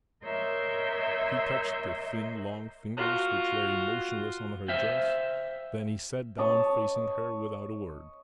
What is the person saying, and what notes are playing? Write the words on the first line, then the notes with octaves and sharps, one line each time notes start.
He touched the thin, long fingers which lay motionless on her dress, then he sat down facing her, without a word.
A#4 C#5 D#5 E5 C6 G6
F4 F#4
C5 E5 F5 G5
C#5 D#5 A5